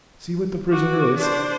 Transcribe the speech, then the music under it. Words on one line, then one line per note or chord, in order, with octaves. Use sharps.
See what the prisoner is.
F#4 D6
D4 C5